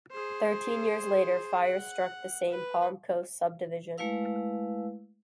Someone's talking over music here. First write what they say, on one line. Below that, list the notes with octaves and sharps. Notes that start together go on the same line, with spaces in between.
Thirteen years later, fires struck the same Palm Coast subdivision.
G#4 C5
F#5
B4
G#3 A3 E4 B4 F5 E6